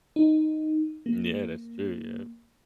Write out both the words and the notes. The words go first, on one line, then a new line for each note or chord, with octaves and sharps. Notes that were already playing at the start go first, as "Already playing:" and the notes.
Yeah, that's true, yep.
D#4
A#3